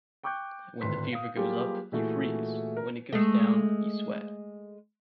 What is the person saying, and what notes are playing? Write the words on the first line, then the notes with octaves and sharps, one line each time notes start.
When the fever goes up, you freeze, when it goes down, you sweat.
G5 C#6 D6 F#6 G6
D1 G#1 B4 C6 B6
F5 D#6
F#3 G3 A#3 F4 G4 G#4
A#2 E3 A3 E4 F#4 G#4
A#4
G#3 A3